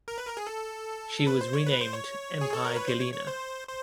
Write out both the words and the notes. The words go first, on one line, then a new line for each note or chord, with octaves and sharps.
She was renamed "Empire Galena".
A#4
B4
A#4
G#4
A4
B4
C5
C#5
B4
C5
C#5
G#4
A4
A#4
B4
C5
C#5
C#5
C5
C5